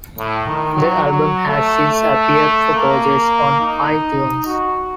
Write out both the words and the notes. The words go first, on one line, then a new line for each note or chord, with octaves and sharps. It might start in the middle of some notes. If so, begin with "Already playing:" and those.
The album has since appeared for purchase on iTunes.
A2
D#3
F#3
F#3
A3
A3
A#3
D#4
F#4